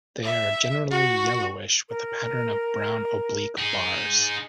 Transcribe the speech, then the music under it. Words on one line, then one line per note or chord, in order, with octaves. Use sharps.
They are generally yellowish with a pattern of brown oblique bars.
E5
F#4
A#4
D#4 G#4